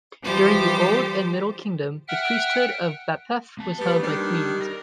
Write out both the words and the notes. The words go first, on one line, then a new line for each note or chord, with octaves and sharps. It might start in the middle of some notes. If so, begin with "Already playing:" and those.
During the Old and Middle Kingdom the priesthood of Bapef was held by queens.
E3 F3 G3 G4 C5 A6
E5 F#5 G5 F6 F#6
A#3 A5
G3 B3
D#3 G3 D4
A#4